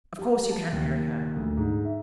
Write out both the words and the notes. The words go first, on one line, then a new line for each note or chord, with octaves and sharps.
Of course you can't marry her.
G4
A5
D#2
D2
G#2
E5